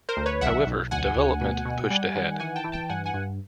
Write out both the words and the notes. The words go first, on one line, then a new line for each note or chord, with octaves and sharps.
However, development pushed ahead.
A#4 C5
D2
B4 C#5
B1 E5 F#5
B1
D2 F#5 G#5
D2
B2
B2
G3
D#3
E3 F#5 G#5
G5 A5
E3
G5 A5
G2 F#5 G#5
F#5 G#5
G2